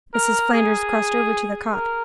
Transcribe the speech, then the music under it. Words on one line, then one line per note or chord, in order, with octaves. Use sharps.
Mrs. Flanders crossed over to the cot.
A#4
G#4
A#4